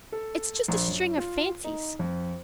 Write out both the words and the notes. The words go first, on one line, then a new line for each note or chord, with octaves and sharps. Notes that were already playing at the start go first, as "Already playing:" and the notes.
It's just a string of fancies.
A4
A#1
F#2
F4
D#4
F2